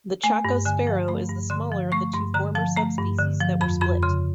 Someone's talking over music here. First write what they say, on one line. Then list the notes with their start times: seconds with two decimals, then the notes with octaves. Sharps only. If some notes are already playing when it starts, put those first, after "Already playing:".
The Chaco sparrow is the smaller of the two former subspecies that were split.
0.23 A3 G#5
0.45 G2
0.65 D3 G#5
0.87 F3
1.08 A3 B5
1.29 G2
1.50 D3 C6
1.72 F3
1.92 A3 C#6
2.13 G2 C6
2.34 D3 A#5
2.55 F3 A5
2.76 A3 A#5
2.98 G2
3.19 D3
3.40 F3
3.61 F2 B5
3.81 F2 B5
4.03 C#3 C6